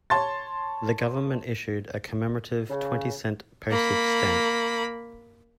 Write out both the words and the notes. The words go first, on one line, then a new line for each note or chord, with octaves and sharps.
The government issued a commemorative twenty cent postage stamp.
C#5 A5 C6 A6
C#3
A#3 B5